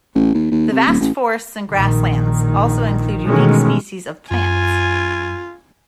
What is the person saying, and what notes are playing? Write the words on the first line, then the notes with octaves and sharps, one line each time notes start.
The vast forests and grasslands also include unique species of plants.
A1
D#2
D#2
C3
D#1
A1
A#1 D#3
B2 D#3 E3 G#3 A3 C#4
F#2 F4 G#5